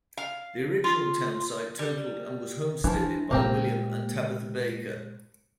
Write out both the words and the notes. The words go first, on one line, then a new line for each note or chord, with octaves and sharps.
The original townsite totaled and was homesteaded by William and Tabitha Baker.
F5
F4
G3
E3 F3 D4
A#2 G#3 A#3 C4 G4